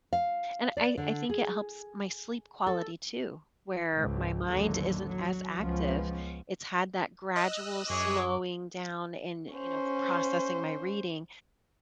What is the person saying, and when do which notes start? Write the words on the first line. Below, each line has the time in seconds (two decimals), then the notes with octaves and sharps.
and I I think it helps my sleep quality too, where my mind isn't as active, it's had that gradual slowing down and, you know, processing my reading,
0.13 F5
0.77 D5
0.97 D3
1.30 G#4
2.67 A4
3.95 C#2 G#2
4.47 A1 D#2 D3 F#3
5.07 F#3
5.59 C#2 F3 B3 C#4
7.36 D#5 E6 F#6
7.89 F#2 G#4 C#5 D6
9.54 C#4 C5